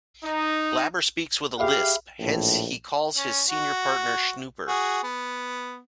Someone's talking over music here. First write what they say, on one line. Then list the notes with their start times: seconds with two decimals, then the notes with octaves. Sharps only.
Blabber speaks with a lisp, hence he calls his senior partner Shnooper.
0.24 D#4
1.59 G4 G#4 E5 F5 B5
2.19 A#1 A2
3.17 C#4
3.50 F#4
4.68 F#4 G#4
5.03 B3